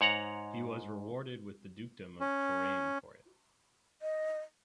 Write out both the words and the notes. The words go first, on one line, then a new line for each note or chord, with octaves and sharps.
He was rewarded with the dukedom of Touraine for it.
G#2 C#5 F#5 A#5
C#4
D#5